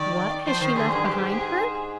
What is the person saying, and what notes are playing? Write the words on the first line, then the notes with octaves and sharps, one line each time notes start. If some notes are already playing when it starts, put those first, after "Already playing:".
What has she left behind her?
Already playing: D#3 D5
F3 C5
D#3
D3 G#4
G2
G#2 G4
G#4